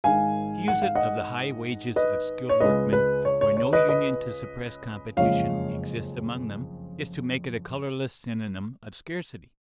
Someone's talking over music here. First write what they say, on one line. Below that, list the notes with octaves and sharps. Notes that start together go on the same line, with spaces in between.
To use it of the high wages of skilled workmen, where no union to suppress competition exists among them, is to make it a colorless synonym of scarcity.
G#1 G#2 D#3 G#3 F5 G#5
F#5
F5
D#5 F#5
B4 D#5
C#5
C#2 C#3 G#3 B4 D#5
B4
C#5
C#5
C#5
B4 D#5
B4 D#5
F#1 F2 C#3 G#3 C#5 F5